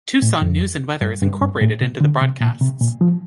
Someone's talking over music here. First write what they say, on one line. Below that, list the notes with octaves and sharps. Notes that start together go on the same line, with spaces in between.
Tucson news and weather is incorporated into the broadcasts.
A2
F2
G2
G2
G2
A2
C3
D3
C3
A#2
C3
A#2
F3